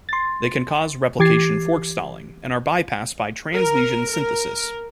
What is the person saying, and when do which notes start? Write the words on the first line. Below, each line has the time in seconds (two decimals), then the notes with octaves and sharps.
They can cause replication fork stalling and are bypassed by translesion synthesis.
0.09 C6 A6
1.19 E3 G4 D6 G#6 A6 C7
3.53 A#4
4.12 A#4